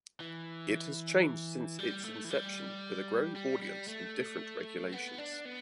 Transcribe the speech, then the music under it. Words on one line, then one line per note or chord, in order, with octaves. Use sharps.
It has changed since its inception with a growing audience and different regulations.
E3
G3
A3
E3
G3
G3
G3
A3
B3
D4
B3